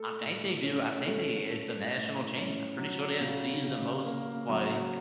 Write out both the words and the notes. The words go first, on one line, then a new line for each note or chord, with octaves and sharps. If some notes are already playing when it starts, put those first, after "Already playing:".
I think they do, I think they it's a national chain, I'm pretty sure they have Zea’s in most, like,
Already playing: A3 A4
A2
C#4
A3
A4
A2
C#4
F#3
C#3
C#3
A#3
F#3